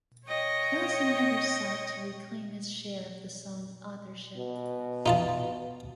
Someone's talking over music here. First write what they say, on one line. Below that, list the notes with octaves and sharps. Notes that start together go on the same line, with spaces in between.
Wilson never sought to reclaim his share of the song's authorship.
C#5 D#5 G5 C#6
B2
D#4 F4 A5